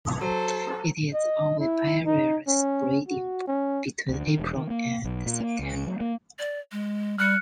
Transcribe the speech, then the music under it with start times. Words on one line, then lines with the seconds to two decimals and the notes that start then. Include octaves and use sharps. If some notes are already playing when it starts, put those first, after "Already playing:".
It is oviparous, breeding between April and September.
0.21 F#3 A4 C5
1.14 D#5
1.60 E4
2.06 D#4
2.47 C#4
3.08 F#4
3.47 C#4
4.09 D2
4.27 D#3
4.39 E1
4.57 D#3
4.70 A#3
5.04 B1
5.26 A#2
5.40 A#3
5.59 C#2
5.87 F#3
6.00 A#3
6.39 D5
6.72 G#3
7.18 G3 F6 F#6 C#7